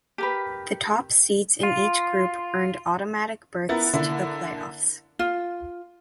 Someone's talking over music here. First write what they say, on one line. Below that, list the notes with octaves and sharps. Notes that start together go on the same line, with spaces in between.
The top seeds in each group earned automatic berths to the playoffs.
G4 A#4 B4
F4
B3 E4 A#4 A6
D3 A#3 E4
F4